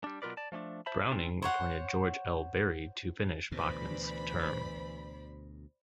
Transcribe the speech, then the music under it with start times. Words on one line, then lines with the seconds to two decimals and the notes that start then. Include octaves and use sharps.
Browning appointed George L. Berry to finish Bachman's term.
0.04 G3 D4
0.22 B2 F#3 F4 A#4 B4 D5
0.37 D5 A5
0.52 F3 A3 C#4 D4
0.86 C5 E5 A5 B5
1.11 C4 C#4 F4
1.42 C5 C#5 F#5
3.52 D2 B2 E3 C5 D5 B5